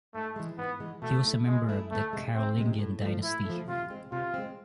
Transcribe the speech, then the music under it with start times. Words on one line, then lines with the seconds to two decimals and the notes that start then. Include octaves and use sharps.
He was a member of the Carolingian dynasty.
0.14 G#2 A3
0.36 E3 G#3
0.58 G#2 B3
0.80 E3 G#3
1.02 B2 A3
1.25 A3 E4
1.46 B2 G#3
1.69 A3 E4
1.91 D2 A3
2.13 C3 G#3
2.35 D2 C4
2.58 C3 G#3
2.79 A2
3.01 F3 A3
3.23 A2 E4
3.45 F3 A3
3.68 C3 F4
3.90 G#3 C4
4.12 C3 F4
4.34 G#3 C4